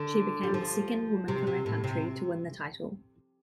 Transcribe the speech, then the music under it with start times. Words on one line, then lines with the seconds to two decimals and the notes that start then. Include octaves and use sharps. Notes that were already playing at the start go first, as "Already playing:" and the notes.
She became the second woman from her country to win the title.
Already playing: D3
0.43 G3
0.54 F3
1.28 C3
1.47 C3
1.66 A2
1.84 C3